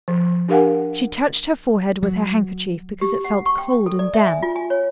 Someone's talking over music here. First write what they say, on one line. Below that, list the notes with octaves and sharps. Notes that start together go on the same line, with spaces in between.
She touched her forehead with her handkerchief because it felt cold and damp.
F3
D4 G4 A#4 F5 F#5 G#5
F#3
G4
F#5
C#6
G5
A4
D5
E5
G#5
F4
G#5
C#5